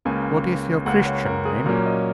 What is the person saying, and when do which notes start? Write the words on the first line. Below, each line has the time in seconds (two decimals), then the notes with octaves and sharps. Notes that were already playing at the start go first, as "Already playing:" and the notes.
"What is your Christian name?"
0.05 C#2 C#3 A#3 C#4 G#5
0.85 C#2 C#3 A#3 F#5
1.06 C#5
1.26 A#4
1.45 G#4
1.66 A#2 F#3 A#3 C#4 A#4
1.86 D#5